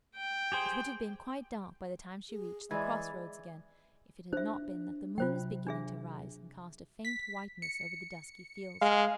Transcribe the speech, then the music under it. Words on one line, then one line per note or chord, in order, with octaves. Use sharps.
It would have been quite dark by the time she reached the cross-roads again, if it had not been that the moon was beginning to rise, and cast a faint whiteness over the dusky fields.
G5
G4 G#4 C5
G#4
E3 G#3 D5 E5 G#6
D4 C5 E5
C3 F#3 F4 C5 G5
D4 G#4 E5
B6
C#7
G#3 F5